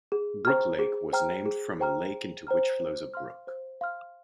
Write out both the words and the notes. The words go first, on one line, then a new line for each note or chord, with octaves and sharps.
Brook Lake was named from a lake into which flows a brook.
G#4
C5 G5 A#5 F6
G#4
C5 G5 A#5 F6
G#4
C5 G5 A#5 F6
G#4
C5 G5 A#5 F6
C5
F5 C6 F6
C5
F5 C6 F6